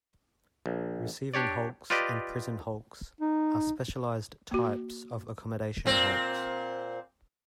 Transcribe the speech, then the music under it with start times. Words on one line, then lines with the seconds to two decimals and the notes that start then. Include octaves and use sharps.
Receiving hulks and prison hulks are specialized types of accommodation hulks.
0.66 A#1
1.34 D4 G4 C#5 D5
1.90 F4 G4 B4 D5 D#5
3.20 D#4
4.51 A#3 F#4
5.86 A#2 C4